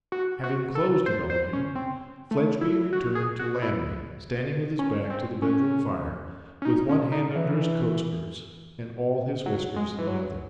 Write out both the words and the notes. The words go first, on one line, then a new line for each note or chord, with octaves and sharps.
Having closed it on him, Fledgeby returned to Lammle, standing with his back to the bedroom fire, with one hand under his coat-skirts, and all his whiskers in the other.
F#4
F#4
A4
C5
C5
C#4
C4
A3
E4
F#4
G#4
F#4
E4
C#4
C4
C#4
C#4
D#4
C#4
D#4
E3
F#3
G#3
E3
F#3